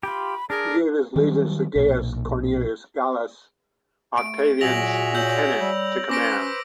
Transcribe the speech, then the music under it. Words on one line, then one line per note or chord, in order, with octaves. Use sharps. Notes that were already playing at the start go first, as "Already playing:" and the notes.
He gave his legions to Gaius Cornelius Gallus, Octavian's lieutenant, to command.
F4 G4 B5
D4 G#4 A#4
D#3 F#3 G3
B1 A#2
A3 D7
A#2 F#3 F#4 G#4 E5 A#6 F7 F#7
C#5 E6 G6 F#7
G3
C#4 B4 C5 D6 A#6 D7